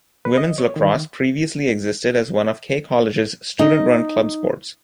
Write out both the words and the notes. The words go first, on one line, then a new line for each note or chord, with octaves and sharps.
Women's lacrosse previously existed as one of K College's student-run club sports.
B4
D#5
C#5
D#3
D#4